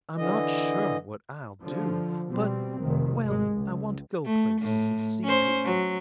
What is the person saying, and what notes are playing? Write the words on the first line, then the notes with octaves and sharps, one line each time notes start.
I'm not sure what I'll do, but--well, I want to go places and see people.
D3 E3 D#5
D3 F3
B2 G3 C4
F1 D#3
G#1 G#3
C#2
A3
A2
C#4 C5
F#3